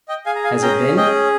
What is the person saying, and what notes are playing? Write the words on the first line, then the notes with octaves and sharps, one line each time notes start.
"Has it been?"
D#5 G5
G#4 F5 G#5
A#5
F5 G#5
C#4 G5 A#5
G#4 D#5 G5